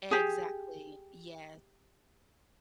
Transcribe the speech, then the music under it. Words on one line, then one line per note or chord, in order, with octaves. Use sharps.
Exactly, yeah.
G4 G#4